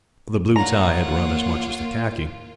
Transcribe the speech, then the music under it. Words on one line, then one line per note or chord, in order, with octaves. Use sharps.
The blue tie had run as much as the khaki.
A#3 F4 C#5 F#5 A#5